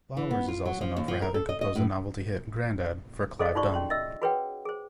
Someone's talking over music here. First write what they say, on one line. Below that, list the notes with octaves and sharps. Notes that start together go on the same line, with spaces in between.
Flowers is also known for having composed the novelty hit "Grandad" for Clive Dunn.
E3
B3
F4
F#3
F3
D#2
F3
A#4
A4
D#5
D#5
A2
G#4 A4 C5 D5 D#5 F5
D#4 F4 F#4 C5 D5 C#6
C#4 C6
D#5 E5 E6
F#4 G#4 B4 C#5 F#5 G5
G#4 C5